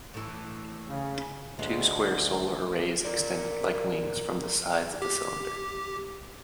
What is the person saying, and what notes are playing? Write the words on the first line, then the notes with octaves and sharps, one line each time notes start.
Two square solar arrays extended like wings from the sides of the cylinder.
A2 E3
C#3
D2 G#3
A#4 D5
G4